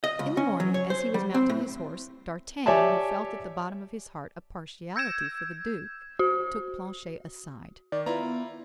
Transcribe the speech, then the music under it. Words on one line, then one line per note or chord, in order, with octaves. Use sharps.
In the morning, as he was mounting his horse, d'Artagnan, who felt at the bottom of his heart a partiality for the duke, took Planchet aside.
D#5
C#2
C#4
F#3
C#5
C5
G3
C4
A2
G4 C#5 D5 E5 G#5 A5
E6 G6 G#6 E7
F#4
D#3 D5
B3 E4 F4 A#5